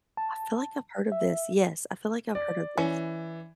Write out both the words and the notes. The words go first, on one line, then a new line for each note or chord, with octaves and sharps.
I feel like I've heard of this. Yes, I feel like I've heard of this.
A5
E5
D5
E3 C#4